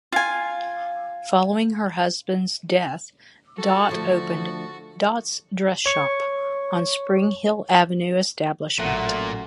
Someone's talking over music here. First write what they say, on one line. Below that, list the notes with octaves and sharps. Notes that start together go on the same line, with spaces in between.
Following her husband's death, Dot opened "Dot's Dress Shoppe" on Springhill Avenue establishment.
F4 G#5
F#4 A4 A6
D3 F3 A3
C#5 C#6
A1 A#2 F#3 A3 C#4 F#5